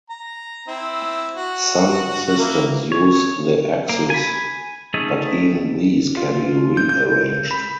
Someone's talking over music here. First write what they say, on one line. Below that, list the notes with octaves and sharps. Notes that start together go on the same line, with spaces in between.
Some systems use the X's, but even these can be rearranged.
A#5
C4 E4
F#4
A#3 E4
C#5
A#3
G#5 B5
A3 C#4 D#4 G#4 A4
F4
G6
G6
B5